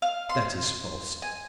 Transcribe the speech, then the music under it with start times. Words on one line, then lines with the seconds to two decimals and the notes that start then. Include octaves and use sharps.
That is false.
0.02 F5
0.29 C6
1.22 G#5